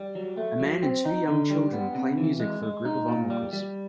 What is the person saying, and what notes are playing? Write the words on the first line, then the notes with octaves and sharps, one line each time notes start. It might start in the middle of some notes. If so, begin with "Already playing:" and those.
A man and two young children play music for a group of onlookers.
Already playing: G3
F#3
A3
F#3
C4
D#4
D3
G3
B3
C3
E3
G#3
G#3
D#4
A#2
G3
G3